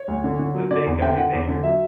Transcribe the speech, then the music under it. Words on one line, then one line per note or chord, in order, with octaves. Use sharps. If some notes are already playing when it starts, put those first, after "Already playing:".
The big guy there!
Already playing: C#5
D2
D3
D3
F#3
D3 D5
E2
D3 G5
D3 F#5
E2
D3
F#3 E5